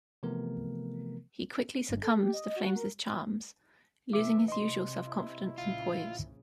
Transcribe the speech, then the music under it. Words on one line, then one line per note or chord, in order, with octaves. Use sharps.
He quickly succumbs to Flame's charms, losing his usual self-confidence and poise.
C3 E3 F3 A3 B3 A#4
G1
A4
G4
D#5
F#4
A#4
B2 E3 E5 D6
C3 D#4 D#5 C6
E4
A#1 C#3 F4